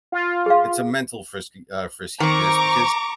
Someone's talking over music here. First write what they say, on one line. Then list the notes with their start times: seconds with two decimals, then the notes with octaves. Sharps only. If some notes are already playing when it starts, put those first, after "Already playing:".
it's a mental frisky uh, friskiness because
0.12 F4
0.46 G#4 F5
2.20 D#3 C4 A#5 C#6 D6